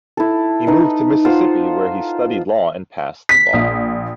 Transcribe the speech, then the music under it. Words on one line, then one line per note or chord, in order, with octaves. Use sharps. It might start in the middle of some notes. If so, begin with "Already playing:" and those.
He moved to Mississippi, where he studied law and passed the bar.
E4 A4
D#4 B4 E5
F4 C5 F#5
B6
A#1